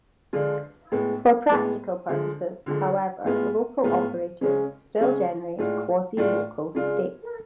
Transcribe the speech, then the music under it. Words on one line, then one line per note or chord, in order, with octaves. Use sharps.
For practical purposes, however, local operators still generate quasi-local states.
D3 F3 G#3 D4 F4
A2 G#3 B3
A2 G#3 B3
D3 F3 G#3
D3 F3 G#3
A2 G#3 B3 F4
A2 G#3 B3 F4
C#3 G#3 C#4
C#3 G#3 C#4
A2 G#3 D4 F4
A2 G#3 D4 F4
C#3 G#3 D4 F4